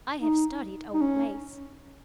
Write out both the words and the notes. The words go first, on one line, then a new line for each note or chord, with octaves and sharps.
I have studied old lace.
D#4
D#4
C#4